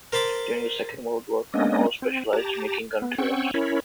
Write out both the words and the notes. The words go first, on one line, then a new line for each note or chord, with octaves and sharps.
During the Second World War, Parnall specialised in making gun turrets.
A#4 C5 A5 B5 D6
G#3 A#3 B3 C#4 D4 D#5
C4
G4 A5 A#5
B3
C4 C#4 F#5 G5 C#6 E6
C#4 E4 A#4 C#5 B5